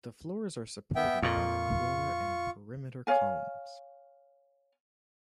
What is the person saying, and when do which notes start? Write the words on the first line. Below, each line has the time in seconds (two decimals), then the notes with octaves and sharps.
The floors are supported by the core and perimeter columns.
0.96 B3 E5 G5
1.22 F2 A#2 F4 C#6
3.07 C#5 F5 G#5